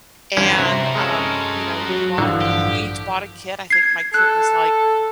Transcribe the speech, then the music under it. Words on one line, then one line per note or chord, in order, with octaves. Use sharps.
and, um, you know, we bought a ki we each bought a kit. I think my kit was like
G2 D3 E3 C#4 F4
C3 F#4 A#4 B5 C6
G#3 C#4 A4
F#3
A1 G2 D3 E3 F3
G4
G#6 C7
A4 F#6